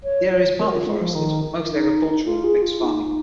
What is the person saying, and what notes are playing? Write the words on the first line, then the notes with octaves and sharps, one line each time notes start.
The area is partly forested but mostly agricultural with mixed farming.
C#5
A#4
F4
G#3
F3
D#3
D#4
F4
G#4
F4
D#4